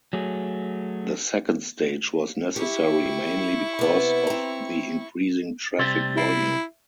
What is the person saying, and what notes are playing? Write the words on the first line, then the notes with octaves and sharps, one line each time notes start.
The second stage was necessary mainly because of the increasing traffic volume.
F#3 A3 G#4
E4 G4 C#6
C3 B3
C4 A#5
C3 G3 C5 E6 G#6 A6
E4 E5 C7 D7